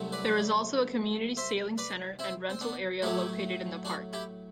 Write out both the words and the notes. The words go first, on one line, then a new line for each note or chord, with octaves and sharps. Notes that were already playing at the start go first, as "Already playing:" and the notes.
There is also a community sailing center and rental area located in the park.
Already playing: C2 C3 F#3 A3
B4 D5
C5 E5
B4 D5
C4 E4
C4
B3 D4
A2 F#3 A3 E4 G4
D4 F#4
E4 G4